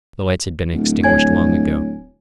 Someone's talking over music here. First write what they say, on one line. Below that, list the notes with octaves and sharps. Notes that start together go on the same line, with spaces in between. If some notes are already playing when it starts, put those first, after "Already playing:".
The lights had been extinguished long ago.
D1
C#5 G#5 G#6